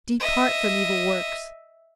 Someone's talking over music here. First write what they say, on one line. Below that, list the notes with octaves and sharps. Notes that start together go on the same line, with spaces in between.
Depart from evil works.
D#5 E5